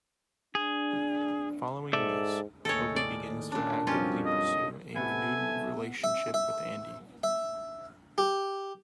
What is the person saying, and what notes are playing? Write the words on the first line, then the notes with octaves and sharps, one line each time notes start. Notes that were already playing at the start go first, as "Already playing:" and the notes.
Following this, Toby begins to actively pursue a renewed relationship with Andy.
D4 G#4
G#2 A4 D5 E5
D#2 A2 G#4 A4 C#5 D#5 G5
D5
A#2 C#4 D4
F2 F#3 G3 C#4 F4 G4
D#5
C3 B3 A4 E5 G#5
E5
E5
E5
G4